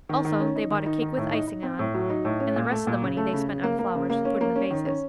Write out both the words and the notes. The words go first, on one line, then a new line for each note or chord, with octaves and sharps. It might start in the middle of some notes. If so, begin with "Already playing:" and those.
Also they bought a cake with icing on, and the rest of the money they spent on flowers to put in the vases.
D#3
D#3
C#4
D#4
D#3
D#4
D#3
A2
D#4
D#4
C4
A2
F#3
D#4
A2
C#4
A#2
A3
A#2
C#3
A3
C#3
C#3
A#3
A#3
C#3
A#3
C#4
A#3
C#4
D#3
C#4